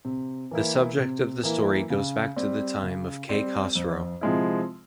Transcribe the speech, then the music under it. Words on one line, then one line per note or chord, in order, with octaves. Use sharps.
The subject of the story goes back to the time of Kay Khosrow.
C3
E3 A#3 E4
C3
E3 A#3 E4
C#3
G3 C4
C#3
G3 C4
F2
C3 F3 G#3 E4